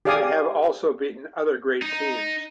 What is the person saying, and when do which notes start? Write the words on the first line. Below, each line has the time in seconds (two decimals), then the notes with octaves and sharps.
They have also beaten other great teams.
0.05 G4 G#4 D5 F5 G#5 D#6
1.82 D#4